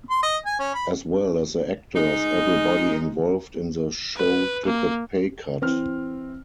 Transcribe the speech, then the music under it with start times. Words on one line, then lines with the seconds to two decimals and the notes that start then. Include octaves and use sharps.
As well as the actors, everybody involved in the show took a pay cut.
0.10 C6
0.23 D#5
0.45 G#5
0.59 C#4
0.74 B5
1.96 G#3 D#4
4.16 B4
4.66 A#3
5.61 E3 C4 F6